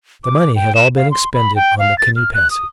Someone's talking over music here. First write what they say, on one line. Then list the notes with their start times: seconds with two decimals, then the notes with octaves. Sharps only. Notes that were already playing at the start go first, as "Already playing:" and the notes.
The money had all been expended on the canoe passage.
0.24 D6
0.56 G5
0.75 E7
0.96 F5
1.11 C6
1.34 B5
1.56 G5
1.79 F5
1.98 A6
2.16 F6
2.34 F#6
2.51 D#6